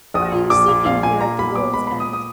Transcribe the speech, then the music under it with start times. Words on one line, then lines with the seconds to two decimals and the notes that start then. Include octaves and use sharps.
What are you seeking here at the world's end?'
0.14 A#1 D#6
0.32 A#2
0.50 A#1 D6
0.68 A#2
0.85 A#1 F5
1.03 A#2 G#5
1.20 A#2 A#5
1.39 B1 B5
1.56 B3 D6
1.74 G#3 B5
1.87 A#2 B5
2.00 D#6
2.13 D#6